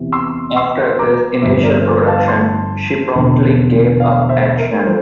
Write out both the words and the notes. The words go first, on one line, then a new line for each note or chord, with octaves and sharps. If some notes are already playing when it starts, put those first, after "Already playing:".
After this initial production she promptly gave up acting.
Already playing: E2 C3 E3
C6 E6
C6 E6
A#5 D6
G1 G2 F3 C5 E5
A#4 D5
A4 C5
F5 A5
A5 C6
E1 E2 D3 F3
D5 F5
C5 E5
A#4
F3 A4 C5